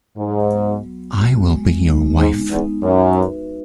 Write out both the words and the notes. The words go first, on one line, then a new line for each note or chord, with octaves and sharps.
I will be your wife.
G#2 F#3
B3 F#4
F#3
B3 F#4
G#3
B3 D#4
G#2 G#3
E2 B3 D#4
F#2 D#4
F#4 B4 E5